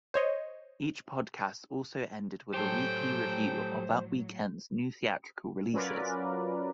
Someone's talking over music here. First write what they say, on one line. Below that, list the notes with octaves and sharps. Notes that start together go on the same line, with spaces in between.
Each podcast also ended with a weekly review of that weekend's new theatrical releases.
C5 C#5 D#5
A2 F#3 G4 A4 C5 G5
F#3 C#4 F4 A#4 B4 D5